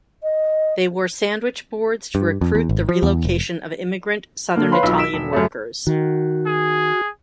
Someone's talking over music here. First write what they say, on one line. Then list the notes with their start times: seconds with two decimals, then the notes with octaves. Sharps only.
They wore sandwich boards to recruit the relocation of immigrant southern Italian workers.
0.23 D#5
2.15 G2
2.41 F2
2.55 E2
2.69 G#1
2.89 F3
3.03 E2
3.25 F1
4.55 D3 A#3
4.72 B4 C#5 F5 B5 C6
4.83 B1 F4 B5 E6
4.98 E6 B6 D7 E7
5.13 E1
5.33 F#2 C#3 A3
5.87 D#3 F#4
6.46 G#4